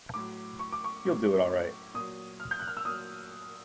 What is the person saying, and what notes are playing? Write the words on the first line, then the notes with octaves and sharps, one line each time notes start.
You'll do it all right.
A2 F#3 D6
C#6
D6
C#6
A2 F#3
A#2 F#3 D#6
F6
G6
F#6
F6
E6
A#2 F#3 D#6